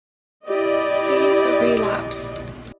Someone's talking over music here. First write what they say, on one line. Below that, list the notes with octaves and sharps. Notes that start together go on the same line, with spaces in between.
See "The Relapse".
E4 G4 D5 D#5